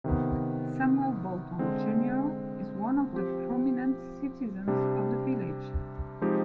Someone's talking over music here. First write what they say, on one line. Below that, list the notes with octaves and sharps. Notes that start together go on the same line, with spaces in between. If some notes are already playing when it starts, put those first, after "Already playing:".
Samuel Bolton, junior, is one of the prominent citizens of the village.
C3 D#3 B3
D3 G#3 C4
F3 C4 G4
C3 G3 D4 G4
F3 G#3 C4 D#4 G4